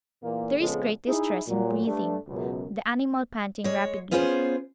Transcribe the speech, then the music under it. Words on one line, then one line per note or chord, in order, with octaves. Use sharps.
There is great distress in breathing, the animal panting rapidly.
E2 A#2 A#3
A#1 C#3 F3 G#3 B3 A4
D#4 E4 G#4
A#2 F#3
G2 A3 D4
C#2 F#2 B2
G#3 C#5
B3 C#4 F4 G#4 B4 C5